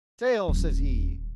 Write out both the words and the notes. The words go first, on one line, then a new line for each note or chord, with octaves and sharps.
"Sail!" says he.
D#1 D#2